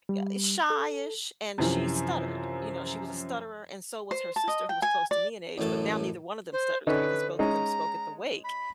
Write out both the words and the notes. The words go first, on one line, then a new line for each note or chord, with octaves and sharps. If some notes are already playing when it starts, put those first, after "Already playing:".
eh, shy-ish and she stuttered, you know, she was a stutterer and so was her sister who was close to me in age, but now neither one of them stutters, because both of them spoke at the wake,
G3
A4
F#2 C3 E3 F3
C5
A5
D#5
G5
G#5
D5
A1 F#2 A2 A3 A5
C5
D3 C#4 D#4 B4
G#3 C#4 D#4 A#5
B5